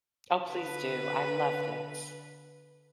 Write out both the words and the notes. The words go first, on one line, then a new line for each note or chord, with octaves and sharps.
Oh, please do, I love this.
D3 B4